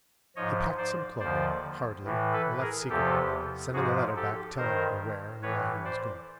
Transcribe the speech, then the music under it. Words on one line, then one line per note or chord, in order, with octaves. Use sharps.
He packed some clothing hurriedly and left secretly, sending a letter back telling her where and why he was going.
G#2 F3 C#5 D#5
C5 D5
D#2 D3 F3 C5 D5
A2 E3
A4 B4
G#4 A#4
E2 C3 F3 G4 A4
G#2 F3 F#4 G#4
G4 A4
G2 D#3 A#4 C5
A2 E3 B4 C#5
C5 D5